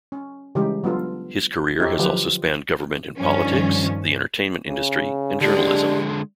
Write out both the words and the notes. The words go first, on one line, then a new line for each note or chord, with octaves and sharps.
His career has also spanned government and politics, the entertainment industry and journalism.
C#4
C#3 E3 G3 G#3 D#4 G4
F#3 B3 D4 F4 A4
C4 D#4 E4 G4 A4 C#5
D3 F3 F#3 F4 G4 B4
G2 D#3 F3 C#4
C#3
D3 G#3 D4 G4